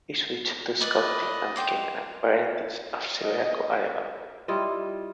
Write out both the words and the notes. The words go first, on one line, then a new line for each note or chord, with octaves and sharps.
He switch to sculpting and became an apprentice of Ciriaco Arevalo.
B4 D5 D#5
G5 C6 D6
D#5
G3 E4 F4 D#5